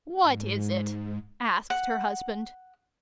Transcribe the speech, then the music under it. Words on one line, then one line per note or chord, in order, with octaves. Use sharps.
"What is it?" asked her husband.
G#2
F#5